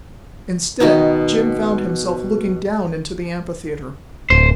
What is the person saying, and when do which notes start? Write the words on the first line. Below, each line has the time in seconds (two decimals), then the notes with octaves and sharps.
Instead, Jim found himself looking down into the amphitheatre.
0.80 B2 D#3 B3 D#4
4.30 D1 C5